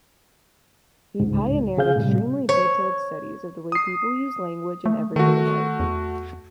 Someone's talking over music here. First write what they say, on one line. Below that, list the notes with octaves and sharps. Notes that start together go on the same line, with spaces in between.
He pioneered extremely detailed studies of the way people use language in everyday life.
C#2 G#2
C#3 G#4 F5 G6
A2 C3 G3
C#5
D#6 C7
A3
D#3 A3 F#4
E2